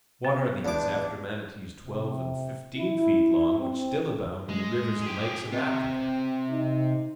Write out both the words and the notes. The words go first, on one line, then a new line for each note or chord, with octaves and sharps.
What are these, after manatees twelve and fifteen feet long, which still abound in the rivers and lakes of Africa?
B3
E2 D4 D6
C3
E4
C4
G#3
G4 G#4
C3
D#4